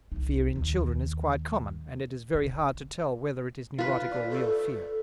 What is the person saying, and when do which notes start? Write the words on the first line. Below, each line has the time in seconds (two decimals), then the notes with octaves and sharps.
Fear in children is quite common and it is very hard to tell whether it is neurotic or real fear.
0.12 C2 D#4
0.56 D#2
2.35 D3
3.78 F4 B4
4.11 D5
4.30 A4